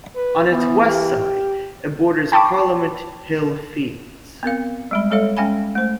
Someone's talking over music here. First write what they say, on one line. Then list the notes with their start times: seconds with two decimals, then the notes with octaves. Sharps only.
On its west side, it borders Parliament Hill Fields.
0.16 B4
0.48 E3 B3
0.85 G4
2.32 G5 A5 B5 C#6 D6
4.43 B3 C4 A#4 F5
4.91 G3 G#3 B5
5.11 G3 G#3 A4 C#5 E5 F5
5.37 G#3 C#4 F5 G5 G#5 B5
5.75 A3 C5